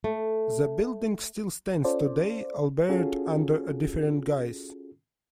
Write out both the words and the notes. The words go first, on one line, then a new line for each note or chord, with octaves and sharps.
The building still stands today, albeit under a different guise.
A3
C#4 F4 A4 C5 D5
C#4 F4 F#4 G#4 A4